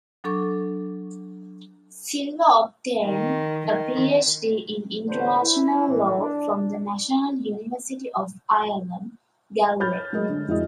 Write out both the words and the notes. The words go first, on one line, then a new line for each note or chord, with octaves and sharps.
Silva obtained a PhD in International Law from the National University of Ireland, Galway.
F#3 D4 A4 C#6 D6
D#3
D#3
A1 A2 D3 F#3 B4 C5
E4
A2 E3
D4
C#5 B5 F6 G6 A6
F#3 G#3 A3 G#4 A#4 D#5
D3 D4
F1 G#3 E4 F#4 D#5